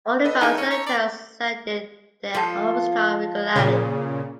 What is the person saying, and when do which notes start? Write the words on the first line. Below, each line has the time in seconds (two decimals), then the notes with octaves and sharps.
All involved Senators, ended their office time regularly.
0.25 A4 B4 D#5
0.41 E3 D#4 G#4 A4 A#5 G6
0.58 C#4
0.71 C#5
0.87 D5
2.35 F3 F4 A4
3.56 A#2 C#3